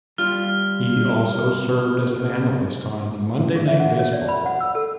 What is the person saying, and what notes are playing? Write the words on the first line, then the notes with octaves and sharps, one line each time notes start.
He also served as an analyst on "Monday Night Baseball".
G3 F4 F6
G#4
E5
F#5
C#5
D5
B5
F#5
E6
A4